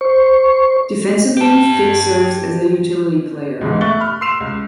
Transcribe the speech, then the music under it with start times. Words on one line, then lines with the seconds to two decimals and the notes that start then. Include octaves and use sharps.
Defensively, Fick serves as a utility player.
0.01 C5 C#6
1.37 G4 A5
3.61 C#2 G#2 B2 E3 G#3
3.81 A3 E5 C#6 F#6 A6 G7
4.00 B5 F6
4.21 C6 E6 C7 E7 F7
4.40 C#2